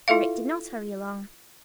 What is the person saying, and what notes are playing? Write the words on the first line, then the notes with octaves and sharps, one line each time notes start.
Eric did not hurry along.
E4 F4 A4 E5 F5